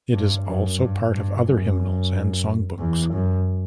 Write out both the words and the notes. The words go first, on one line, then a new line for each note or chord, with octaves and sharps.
It is also part of other hymnals and song books.
G2
F#2
G2
G2
F#2
E2
F#2